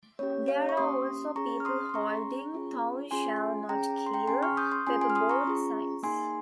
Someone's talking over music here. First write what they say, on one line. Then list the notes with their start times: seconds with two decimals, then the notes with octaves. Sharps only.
There are also people holding "Thou shall not kill" paperboard signs.
0.19 A#3 C#4 G4 C#5
0.48 C#5 F5
0.69 C#6
0.77 A#3 C#4 G4 C6 D#6
1.36 C#4 G#4 A#5 C#6
1.60 F6
1.65 C6 D#6
1.89 C6
1.94 C#4 G#4 A#5 C#6
2.54 C#4 F4 G#4
3.11 C#4 F4 G#4 G#5 C6
3.69 C#4 G#4 G5 A#5
3.98 A#5
4.07 C6
4.14 G5 A#5
4.28 C#4 G#4 G#5 C6
4.43 C#6 F6
4.57 D#6 G6
4.72 C6 D#6
4.87 C#4 F4 G#4 G#5 C6
5.01 G#5 C6
5.10 F6
5.15 C6 D#6
5.30 A#5 C#6
5.45 C#4 F4 G#4
6.03 A#3 D#4 G#4 G#5 C6